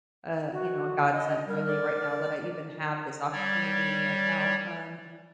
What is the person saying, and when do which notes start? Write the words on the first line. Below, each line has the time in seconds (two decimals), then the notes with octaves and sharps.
uh, you know, a godsent really right now that I even have this opportunity right now, and
0.51 F#4
1.12 D#5
1.47 G3 A#4
1.68 D5
3.32 G3 C#5 D5